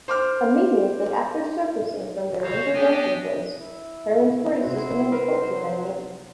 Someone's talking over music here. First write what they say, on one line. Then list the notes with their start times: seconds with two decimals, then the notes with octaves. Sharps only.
Immediately after surfacing from their winter resting place, Hermann's tortoises commence courtship and mating.
0.08 C5 D6 F6
2.43 F#4 C5 C#5 F5
2.74 B3 D4 G4 D#5 G5 G#5
3.57 E4
4.63 C3 F4 F#4 G#4 C5
5.12 F#3 A#4 B4